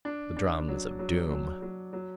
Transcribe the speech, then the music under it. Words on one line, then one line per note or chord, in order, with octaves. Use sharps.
The drums of Doom!
D4
D4
F#3
F#3
F#3
F#3
F#3